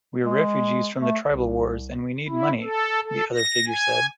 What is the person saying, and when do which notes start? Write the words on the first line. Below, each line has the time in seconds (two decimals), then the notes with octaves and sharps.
"We're refugees from the tribal wars, and we need money," the other figure said.
0.24 G#3
0.99 A3
1.26 C2
2.29 E4
2.63 A4
3.03 A4
3.35 A#6
3.68 G#5